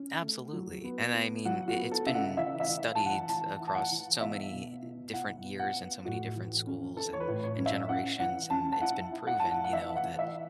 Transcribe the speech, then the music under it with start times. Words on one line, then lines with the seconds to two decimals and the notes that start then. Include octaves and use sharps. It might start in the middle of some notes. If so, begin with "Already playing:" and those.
Absolutely. And, I mean, i it's been studied across so many different years and so many different schools and and generations, and it's been proven, you know, that
Already playing: C#4
0.22 A3
0.53 F#3
0.84 B3
1.14 B3
1.45 F#3 F#5
1.68 F#4
1.76 B3
1.91 A4
2.06 C#3 E5
2.14 F#5
2.37 E3 E5
2.60 E5
2.68 E3
2.95 E3 A5
3.06 F#5
3.29 E3 A5
3.60 E4
3.68 A5
3.75 F#5
3.91 E3
4.21 B2 E5
4.52 B2
4.82 B2
5.13 E4 F#5
5.44 B3
5.59 F#5
5.74 B3
6.05 A2 F#4
6.35 E3
6.67 C#4
6.97 E3 A4
7.13 C#5
7.20 B4
7.27 A2
7.43 C#5
7.58 C#4
7.66 E5
7.89 C#4 F#5
8.20 E3 F#5
8.50 C#4 A5
8.72 A5
8.81 E4 F#5
9.12 E4
9.27 F#5
9.39 E4 A5
9.51 F#5
9.64 F#5
9.73 E3 E5
9.96 F#5
10.04 E3
10.19 E5